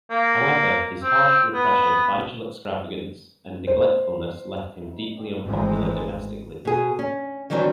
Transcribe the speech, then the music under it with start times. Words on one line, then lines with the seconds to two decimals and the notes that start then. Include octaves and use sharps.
However, his harsh repression, financial extravagance and neglectfulness left him deeply unpopular domestically.
0.11 A#3
1.03 C4
1.54 B3
3.67 C5
5.45 G#1 A2 E3 G#3 C4
6.65 B2 G#4
6.99 C#4
7.50 D#3 E3 F#3 G3 C4 D4